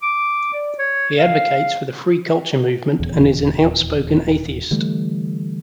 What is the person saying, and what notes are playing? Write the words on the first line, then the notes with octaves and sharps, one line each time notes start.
He advocates for the Free culture movement and is an outspoken atheist.
D6
D5
C#5
F5
D#1 E2
D3 E3 G3 A3